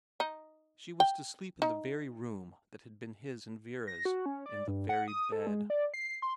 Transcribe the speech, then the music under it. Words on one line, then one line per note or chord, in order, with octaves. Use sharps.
She was to sleep in the very room that had been his and Vera's, in the very bed.
D#4
G5
D#4
A#6
F#4
C#4
D5
G2
F#5
D#6
A4
G#3
D5
C7
C6